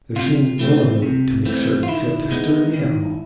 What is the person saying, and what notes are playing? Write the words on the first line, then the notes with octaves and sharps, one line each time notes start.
There seemed no other way to make certain except to stir the animal.
C3 F4
E3 A3 C4
C3
E3 A3 C4
F4
D#3 E4
G#3 B3 D#4
D#3